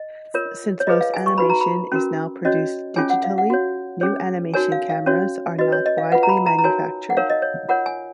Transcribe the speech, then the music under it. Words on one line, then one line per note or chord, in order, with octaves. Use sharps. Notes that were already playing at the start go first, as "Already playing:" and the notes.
Since most animation is now produced digitally, new animation cameras are not widely manufactured.
Already playing: D#5
F4 A#4 C#5
C#5
F4 G#4 B4 D#5
F5
G#5
C#6
D#4 F#4 B4 B5
A#5
B5
C#4 F#4 A#4
C#4 F#4 C#5 D#5
C#4 F4 G#4 C#5 G#5
F#5
F5
F#5
F#4 C#5
C#4 G#4 C#5
D#4 F#4 A#4 C#5 G#5
F5
F5
C#4 F#4 C#5
F#4 B4 D#5
C#5
D#5
F5
F4 B4 F#5
A#5
B5
A#5
A#5
D#4 F#4 A#4 C#5 G#5
F#5
D#4 A#4 C#5 F5
D#5
C#5
F4 A#4 C#5 F#5
G#5